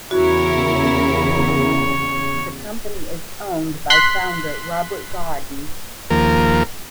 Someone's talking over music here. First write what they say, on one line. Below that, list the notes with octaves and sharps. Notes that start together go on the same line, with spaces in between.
The company is owned by founder Robert Godin.
E2 C#3 E4 F#4 A#4 C#5
C6 F#6 B6
D#2 F3 A#3 A#4